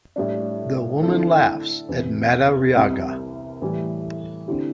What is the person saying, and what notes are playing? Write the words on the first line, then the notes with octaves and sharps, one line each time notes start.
The woman laughs at Madariaga.
A2 G3 D4
D3 C4 E4 A4
E2 C3 E3 C4
C2 C3 G3
A2 E3 G3
D3 C4 E4 G4